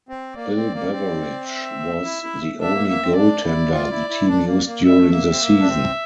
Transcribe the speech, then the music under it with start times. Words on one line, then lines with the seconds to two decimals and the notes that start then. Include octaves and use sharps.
Bill Beveridge was the only goaltender the team used during the season.
0.09 C4
0.36 A#3 D5
0.56 C4
0.74 A#3
0.92 C4
1.48 E5
2.05 E4
2.23 E4
2.60 D4 E5
2.74 A#3
2.88 A#3 E5
3.03 C4
3.17 D4 D5
3.44 E4
3.72 F4
3.91 E4
4.10 E4
4.29 D4
4.47 A#3
4.66 A#3
4.85 G3 E5
4.98 A3
5.12 A#3 E5
5.31 C4
5.41 A#3
5.60 D4
5.68 C4